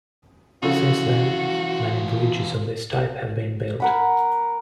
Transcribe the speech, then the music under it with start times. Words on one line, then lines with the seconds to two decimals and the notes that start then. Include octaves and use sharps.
Since then, many bridges of this type have been built.
0.63 C#3 E3 F3 F4 F#4 A4
3.80 A#4 F#5 B5